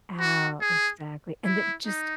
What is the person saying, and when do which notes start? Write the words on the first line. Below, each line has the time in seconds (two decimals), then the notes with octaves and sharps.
Oh. Exactly. And then just
0.20 F#4
0.61 G#4
1.44 E4
1.86 D#4